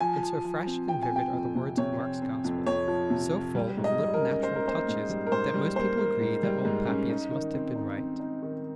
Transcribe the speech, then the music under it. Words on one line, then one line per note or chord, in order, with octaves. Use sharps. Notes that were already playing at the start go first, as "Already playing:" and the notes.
And so fresh and vivid are the words of Mark's Gospel, so full of little natural touches, that most people agree that old Papias must have been right.
F3 G#5
F3
F3
C4
C4 G5
G#5
C4 G5
F2
C3
C3 C#5
C4
C4
F2
F2 C#5
F3
C3
F3
G3
G#2
D#5
G3
A#4
C#4
A#3 C5
A#4
A#3 C5
G#2
G3
A#4
G#2 C5
G3
A#3 C5
A#3
G#2
G3
G#2
C#4
D#4
D#3
C4
D#4
C4
D#4
D#3